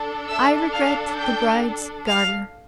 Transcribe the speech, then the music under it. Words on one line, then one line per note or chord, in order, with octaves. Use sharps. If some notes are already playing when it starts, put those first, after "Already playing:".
I regret the bride's garter.
Already playing: D4 A4
E5 E6
F5 F6
G5 G6
F5 F6